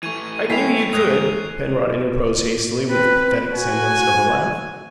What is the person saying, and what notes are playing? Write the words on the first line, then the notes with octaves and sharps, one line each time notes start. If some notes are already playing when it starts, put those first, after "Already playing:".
"I knew you could," Penrod interposed hastily, with the pathetic semblance of a laugh.
E3 A3 C#6 G#6 D#7
G#3 E4 A4 E5 G5 B6 C7 F7
G#2 D#6 F#6 G#6 A#6 F7
C4 B4
F#4 G#5